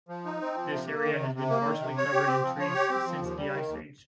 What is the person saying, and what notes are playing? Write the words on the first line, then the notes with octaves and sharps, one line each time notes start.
This area has been partially covered in trees since the Ice Age.
F3
D#4
C4
F3
C3
A#3
D#3
C3
C3
A#3
D#3
C3
C#5
G4
C4
F3
C#5
G4
C4
F3
D#2
G3
D#3
D#2